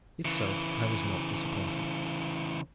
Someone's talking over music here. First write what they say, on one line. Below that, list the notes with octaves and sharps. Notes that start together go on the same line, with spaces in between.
If so, I was not disappointed.
C#3 E3